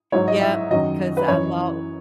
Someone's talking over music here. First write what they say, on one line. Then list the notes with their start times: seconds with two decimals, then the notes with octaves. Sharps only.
Yep. 'Cause I los
0.12 G#2 F#3 C#5
0.28 D#5
0.41 E5
0.71 F#2 D#3 F#3 D#5
1.17 B4
1.28 F#2 E3 C#5